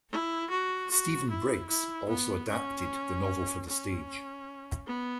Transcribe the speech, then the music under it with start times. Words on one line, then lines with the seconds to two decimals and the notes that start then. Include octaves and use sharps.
Stephen Briggs also adapted the novel for the stage.
0.10 E4
0.50 F#4
0.90 F#4
1.30 E4
1.69 E4
2.09 B3
2.49 C#4
3.67 C#4
4.87 B3